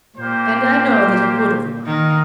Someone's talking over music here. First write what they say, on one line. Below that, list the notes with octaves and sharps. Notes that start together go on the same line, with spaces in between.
And I know that he would have won.
A#2 A#3 G4 C5
D#3 D#4 A#4 F5